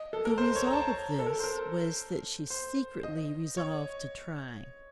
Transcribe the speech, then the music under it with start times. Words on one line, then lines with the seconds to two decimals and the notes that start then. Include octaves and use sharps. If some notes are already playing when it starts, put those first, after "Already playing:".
The result of this was that she secretly resolved to try.
Already playing: D#5
0.13 A4
0.25 A#4
0.38 C5
0.55 C#5
0.67 A#5
0.73 A5
1.19 A4
1.26 A#4
1.40 C5
1.44 A#4
2.50 C5
3.04 D#5
3.57 C#5